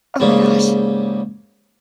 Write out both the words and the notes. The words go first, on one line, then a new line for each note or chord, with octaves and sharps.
Oh my gosh.
G#2 C#3 G3 A#3